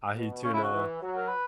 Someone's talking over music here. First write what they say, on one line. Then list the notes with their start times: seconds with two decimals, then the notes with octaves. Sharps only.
ahi tuna,
0.15 B2
0.44 C#3 C#4
0.53 E4
0.63 F#4
0.73 E3
1.01 F#3
1.16 A#4
1.28 B4